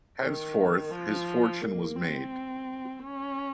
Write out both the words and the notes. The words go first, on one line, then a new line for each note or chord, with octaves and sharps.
Henceforth, his fortune was made.
D#3
F3
A#3
C4
C#4